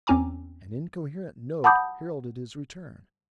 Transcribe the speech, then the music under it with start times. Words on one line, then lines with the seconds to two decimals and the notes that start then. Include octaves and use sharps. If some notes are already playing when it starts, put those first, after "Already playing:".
An incoherent note heralded his return.
0.07 E2 C4 C#4 G#5 A#5 D6
1.64 F#5 A5 B5 D6 D#6 G6